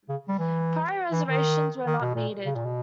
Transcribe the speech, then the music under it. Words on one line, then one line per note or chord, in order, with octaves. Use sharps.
Prior reservations were not needed.
C#3
G3
E3
E3
D#3
D#3
B2
A#2
C#3
A#2
B2